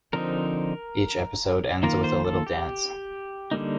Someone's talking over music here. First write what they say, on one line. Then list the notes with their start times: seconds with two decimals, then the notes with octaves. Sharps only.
Each episode ends with a little dance.
0.13 D3 F3 C4 D#4 A#4
1.83 D#3 A#3 F4 A#4
2.04 C5
2.25 A4
2.47 G4
3.51 D3 G3 A#3 D#4